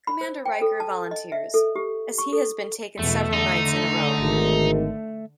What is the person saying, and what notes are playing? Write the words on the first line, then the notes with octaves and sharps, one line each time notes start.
Commander Riker volunteers, as he has been taken several nights in a row.
B5
C5
G5
A4
A5
D#5
E5
A4
G4
C#6
A4
E2 B2 A3
D3 D#4
G#1 D#3